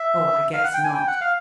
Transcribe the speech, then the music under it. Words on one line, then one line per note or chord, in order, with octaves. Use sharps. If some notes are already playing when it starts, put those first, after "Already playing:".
Oh, I guess not.
Already playing: E5
F5
F#5
G5
G#5
G5
F#5
F5